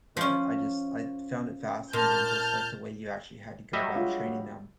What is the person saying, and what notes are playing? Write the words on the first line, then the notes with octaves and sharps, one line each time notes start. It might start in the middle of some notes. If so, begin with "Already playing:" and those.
But I just I found it fascinating just like the way you actually had to go about training them
F3 C#4
A#2 A5 F6 G6
F#3 G3 D#5 E5
G#3 D4 F4